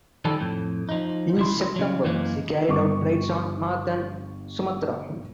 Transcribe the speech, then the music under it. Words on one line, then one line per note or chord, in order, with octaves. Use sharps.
In September she carried out raids on Northern Sumatra.
D#3 F3 G3 A4
F2 A2
F3 D#4
C#2 E4 C6
C#3 F#3
F#2 E3 G#3 A#3
G1 G3 C#6 D6